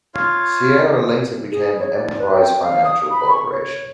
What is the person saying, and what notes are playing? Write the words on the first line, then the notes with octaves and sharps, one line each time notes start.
Sierra later became Emprise Financial Corporation.
F4 C#5 F5
G#4
C#5
D5
B4
G5
F5
D#6
B5
C#6
C#5